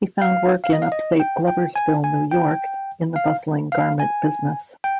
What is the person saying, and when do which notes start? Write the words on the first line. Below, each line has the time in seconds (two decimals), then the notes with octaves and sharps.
He found work in upstate Gloversville, New York, in the bustling garment business.
0.22 F5
0.64 F5
0.73 D#5
0.82 F5
0.92 D#5
1.20 G5
1.48 G5
1.76 G#5
2.04 G#5
2.31 G5
3.16 F5
3.72 F5
4.00 G#5
4.84 G5